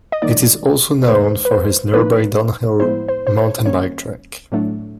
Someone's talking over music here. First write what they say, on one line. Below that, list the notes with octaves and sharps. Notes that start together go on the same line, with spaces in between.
It is also known for its nearby downhill mountain bike track.
D#5
D#3 F#3 A#3 D#4 D5
B4
E2 C3 E3 A3 C5
B4
C5
A2 F3 A#3 D#4 B4
A2 F3 G#3 B3 E4 C5
C5
C5
C#5
D#3 G3 A#3 C#4 C#5
A2 F#3 A3 D4